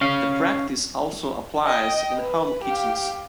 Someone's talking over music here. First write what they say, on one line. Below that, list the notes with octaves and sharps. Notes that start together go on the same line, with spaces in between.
The practice also applies in home kitchens.
C#4 F5
D#5 G5
B4
G4 F5